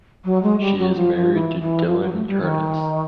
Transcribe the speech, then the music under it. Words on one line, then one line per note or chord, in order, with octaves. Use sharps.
She is married to Dylan Curtis.
F#3
G#3
G3
F#3
F3
F3
E3
E3
F3
F#3
A3
G3
D#3